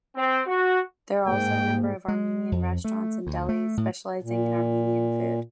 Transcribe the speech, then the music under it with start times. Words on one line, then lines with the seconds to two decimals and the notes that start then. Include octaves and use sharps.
There are also a number of Armenian restaurants and delis, specializing in Armenian food.
0.16 C4
0.46 F#4
1.27 G#2 A#3 G5
2.08 G#3
2.52 F2
2.84 A3
3.27 D2
3.49 A3
3.77 A2
4.23 A#2